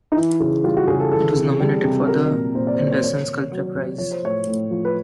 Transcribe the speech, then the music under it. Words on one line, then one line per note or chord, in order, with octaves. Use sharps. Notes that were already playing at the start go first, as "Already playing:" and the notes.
It was nominated for the Anderson Sculpture Prize.
D#4
E3 E4
C#3
G3 F4
F#4
C#3 G#4
A4
E3 A4
C3
G3
C3
F#3 A#4
A#2
A#2 C5
D5
C5
F#3 C#5
C5
D#3 C#5
C3
F#3
C3
F3 C#5
C5
A2 C#5
A2
F3
B4